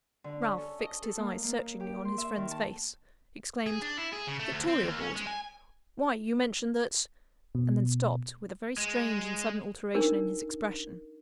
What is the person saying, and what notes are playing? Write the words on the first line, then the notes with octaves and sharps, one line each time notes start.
Ralph fixed his eyes searchingly on his friend's face; exclaimed: "Victoria Ward! why you mentioned that--;" and then stopped, with a very strange and sudden alteration in his expression.
D3
C#4
A4
D#5
A4
A#3
A#3
G4
C6
E5
D#3
A5
G#4
D4
E4
G#4
C#3
A3
D2
C4
D#2
C#4
G#3
G#5
B2
G#3
D4 D#4 A#4